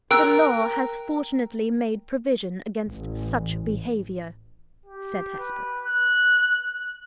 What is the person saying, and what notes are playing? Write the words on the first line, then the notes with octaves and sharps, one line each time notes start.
"The law has fortunately made provision against such behavior," said Hesper.
A#4 G5 E6 F#6
A1
G4
B4
F#6